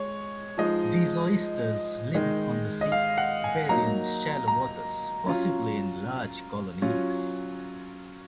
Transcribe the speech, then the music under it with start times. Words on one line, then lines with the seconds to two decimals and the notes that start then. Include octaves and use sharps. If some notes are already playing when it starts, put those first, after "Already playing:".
These oysters lived on the sea bed in shallow waters, possibly in large colonies.
Already playing: G#3 C#5
0.58 F3 G#3 D#4 D#5
2.14 D#3 G#3 D#4
2.81 D#5
2.92 F5
3.18 F#5
3.44 G#5
3.69 F#3 A#3 D#4 A#5
4.48 A#5
5.26 F#3 C#4 F4
6.82 F#3 C#4 F4